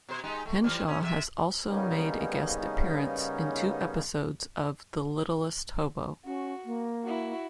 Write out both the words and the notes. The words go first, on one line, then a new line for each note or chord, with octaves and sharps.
Henshaw has also made a guest appearance in two episodes of "The Littlest Hobo".
B2 C5
G#3 D#4 G4
A3
E3 F3 G3
C#4
C3 A4 E5
C#3 G3 A#3 B3 C#4 D#4
C#4 F#4
A#3
E4 F#4